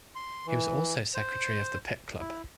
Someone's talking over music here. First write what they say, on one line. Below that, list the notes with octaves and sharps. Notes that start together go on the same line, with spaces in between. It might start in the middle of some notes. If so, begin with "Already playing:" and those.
He was also secretary of the Pitt Club.
C6
E3
C5
E4